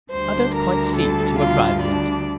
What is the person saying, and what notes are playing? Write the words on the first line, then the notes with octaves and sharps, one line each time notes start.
"I don't quite see what you are driving at."
D2 D3 G3 D4 C5 C6
A#4 A#5
A4 A5
F4 F5
D4 D5